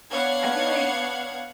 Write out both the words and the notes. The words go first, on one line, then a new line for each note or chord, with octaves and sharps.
I feel like
B3 D4 C#5 F5 F#5 G#6